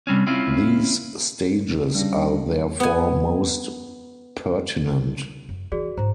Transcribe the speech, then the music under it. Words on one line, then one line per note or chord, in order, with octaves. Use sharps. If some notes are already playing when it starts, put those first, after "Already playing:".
These stages are therefore most pertinent.
C3 G3 C4 C#4
C4 C#4 E4 F4
G2 G3 C#4
B3 G#5
F#2
E3 F#4 G#4 D5
G#2 E4 C5 A#5